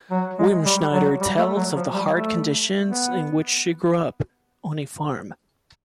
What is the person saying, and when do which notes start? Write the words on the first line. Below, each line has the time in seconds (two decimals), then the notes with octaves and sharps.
Wimschneider tells of the hard conditions in which she grew up, on a farm.
0.11 F#3
0.39 G#3
0.65 G3
0.93 F#3
1.21 G3
1.38 A3
1.56 F#3
1.76 F3
1.94 G3
2.12 A3
2.85 B3